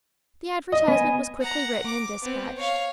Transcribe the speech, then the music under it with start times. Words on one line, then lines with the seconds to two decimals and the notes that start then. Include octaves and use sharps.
The advertisement was quickly written and despatched.
0.72 D#5
0.88 B3 G#5
1.41 F#5 A#5
1.86 D6
2.22 B3 C4
2.57 C#5 F5